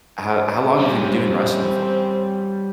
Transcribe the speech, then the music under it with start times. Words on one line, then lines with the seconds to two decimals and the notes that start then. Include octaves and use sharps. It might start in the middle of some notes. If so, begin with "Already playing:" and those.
How how long have you been doing wrestling for?
0.79 G3 C4 C#4